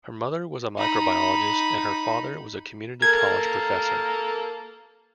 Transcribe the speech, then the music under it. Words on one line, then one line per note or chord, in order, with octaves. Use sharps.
Her mother was a microbiologist and her father was a community college professor.
D#4 B5
A#3 A4 A#4 G#6